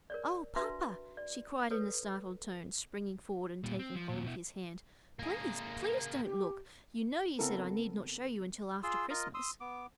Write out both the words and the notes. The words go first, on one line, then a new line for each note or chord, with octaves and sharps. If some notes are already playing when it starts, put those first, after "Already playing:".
"Oh! papa," she cried in a startled tone, springing forward and taking hold of his hand, "please, please don't look! you know you said I need not show you until after Christmas."
A#4 C#5 D5
D4 F#4 B4 E5 A#5 C6
D5
A4 B4 C#5
A#2 G3
C4
F3
D#2 A#2
B2 E4
A#3 G#4
G4
C#3 B3 C4 E4 A4 A#4
F4 G#4 C6 E6
F4 A#4 D#5
C6 D#6 E6
B3 D6